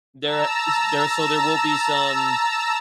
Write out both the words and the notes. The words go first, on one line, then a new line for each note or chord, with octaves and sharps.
there ish there so there will be some
A5 A#5 E6